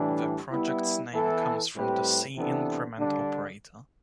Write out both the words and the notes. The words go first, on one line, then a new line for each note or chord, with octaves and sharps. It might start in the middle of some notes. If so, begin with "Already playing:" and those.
The project's name comes from the C increment operator.
Already playing: A2 E3 G3 D4
G3 B3 E4
E3 B3 E4 A4
A2 G3 C4 G4 B4
C3 E3 B3 D4 A4
D3 G3 D4